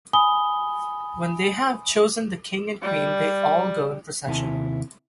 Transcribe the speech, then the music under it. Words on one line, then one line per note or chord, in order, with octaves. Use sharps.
When they have chosen the King and Queen they all go in procession.
G#5 B5 D#6 G7
G3
D#2 C3 E4 F#5 G#5 A5